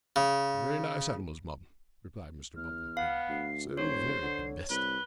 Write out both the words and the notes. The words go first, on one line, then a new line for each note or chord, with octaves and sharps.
'Very nice animals, ma'am,' replied Mr. Bumble, approvingly; 'so very domestic.'
C#3
E2 F6
B3 F5
D2 C7
E1 C5 C#5 C7
D3
C2 B4 G7